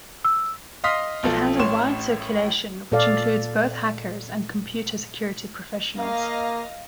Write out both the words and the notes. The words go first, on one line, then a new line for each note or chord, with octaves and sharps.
It has a wide circulation which includes both hackers and computer security professionals.
E6
D#5 F5 C6 D#6 F6 B6
B1 F3 A4
A1 A2 C#5 C6 E7
A#2 A4 D5 F5
A#3 D#5 F5 A#6